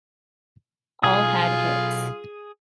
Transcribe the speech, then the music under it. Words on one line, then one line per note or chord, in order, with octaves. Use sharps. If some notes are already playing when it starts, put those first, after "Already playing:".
All had hits.
B1 F4 G#4 D#6